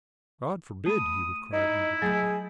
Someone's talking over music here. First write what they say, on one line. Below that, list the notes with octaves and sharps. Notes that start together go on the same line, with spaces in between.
"God forbid!" he would cry indignantly.
A3 B5 D#6
D#4 E4
F#3 A3 G#4 G6